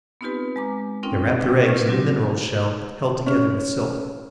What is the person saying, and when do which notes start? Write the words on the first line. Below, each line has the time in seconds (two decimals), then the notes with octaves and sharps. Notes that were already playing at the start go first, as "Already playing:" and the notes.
They wrap their eggs in a mineral shell held together with silk.
0.21 B3 C4 D#4 F4 G4 B4
0.56 G#3 A#5 D6
1.03 C4 C#4 D#4 F4 A#4 G5
1.39 D4 B4 F#5 G5
1.66 A2 D#4 D6 F6
1.86 F#3 G3 C4 D4 F#4 G4
3.26 C#4